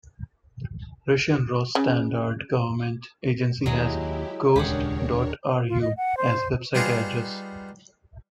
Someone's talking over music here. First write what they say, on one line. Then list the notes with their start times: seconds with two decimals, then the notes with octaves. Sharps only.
Russian Rosstandart government agency has "gost dot ru" as website address.
1.75 C#3
3.66 D#2 F#3 G#3 E4 G4 G#4
4.56 D#1 C#2 D4 G4 G#4 A#4 C#5 F#5
5.69 F4
5.82 D#5
5.97 F#5
6.17 C5
6.75 G3 B3 D#4 F4 G#4